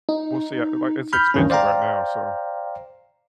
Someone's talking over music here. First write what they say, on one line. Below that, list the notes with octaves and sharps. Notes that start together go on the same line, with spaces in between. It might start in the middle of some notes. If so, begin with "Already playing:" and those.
we'll see, I like, it's expensive right now, so
D#4
B5 F6 G6
D2 G2 D#3 E3 C#4
C5 D5 F5 G5 A#5